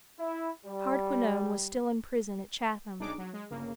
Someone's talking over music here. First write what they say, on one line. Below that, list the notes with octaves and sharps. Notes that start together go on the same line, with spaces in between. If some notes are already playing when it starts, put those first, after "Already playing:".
Hardquanonne was still in prison at Chatham.
E4
G3
B1 D4 D#4 G#4 D6
F#3
G#3
G1 C#3 A#3